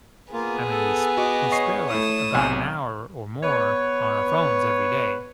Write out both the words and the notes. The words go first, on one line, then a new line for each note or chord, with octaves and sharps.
I mean, we s we spare, like, about an hour or more on our phones every day.
A#3 B3 F4 G#4
A4
F#4 D#5 D6
C#5 D#5 C#6 C7
A3 E4 D#6 E7
B1 C3 G#5
B3 B4 C#5